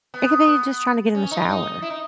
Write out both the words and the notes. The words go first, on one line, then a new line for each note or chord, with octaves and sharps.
It could be just trying to get in the shower.
B3
B3
C#4
D#4
D#4
E4
D#4